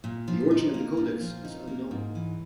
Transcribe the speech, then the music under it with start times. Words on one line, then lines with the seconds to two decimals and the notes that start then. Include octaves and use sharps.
The origin of the codex is unknown.
0.04 A#2
0.28 F3
0.51 D#4
0.74 A#3
0.97 A#2
1.21 F3
1.45 D#4
1.68 A#3
1.91 G#2
2.15 E3